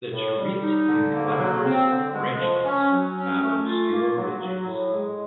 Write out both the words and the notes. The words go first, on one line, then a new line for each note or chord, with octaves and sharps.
The terete and glabrous branchlets have obscure ridges.
A2
G3
D#4
D3
A#3
F#3
C4
D3
G#3
F3
C#4
F#3
C#4
A3
F4
A#3
F#3
F#3
A2
G#3